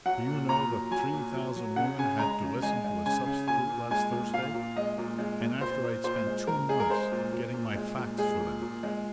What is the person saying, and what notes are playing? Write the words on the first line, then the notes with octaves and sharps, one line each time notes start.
Do you know that three thousand women had to listen to a substitute last Thursday?--and after I'd spent two months getting my facts for them!
F#3 F#5
A#2
A#2 A#5
F#3
F#3 G#5
A#2
F#3
F#3
C#3 F#5
C#3 G#5
G#3 A#5
C#3
G#3 G#5
G#3
C#3 G#5
C#3
A#2 G#5
A#2
G#3 G#5
A#2
A#2 F5
A#2
G#3 D#5
A#2
G#3
A#2
A#2 C5
A#2
A#2 C5
G#3
A#2 A#4
G#3 G#4
A#4
G#3 C5
A#2
A#2
A#2
G#3
A#2
G#3 G#4
A#2
A#2
G#3